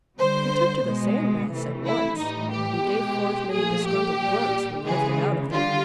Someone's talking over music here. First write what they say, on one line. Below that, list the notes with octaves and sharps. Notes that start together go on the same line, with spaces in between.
He took to the sand baths at once, and gave forth many disgruntled grunts when lifted out of them.
D3 G3 C5
B2 G#3
C3 E3 A3
E4
A2 E3 G3 D#4
G4
B2 G#3
A#2 F3 A3 G#4
G4
A#2 G3
C#3 E3 G#3 G#4
D3 G3 F4